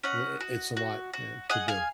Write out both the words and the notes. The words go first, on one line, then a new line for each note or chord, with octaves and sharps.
i i it's a lot, eh, to do,
C#4 D#5 F#5
F#4
F#4
F#4
G#4 D#5 F#5
F5 G#5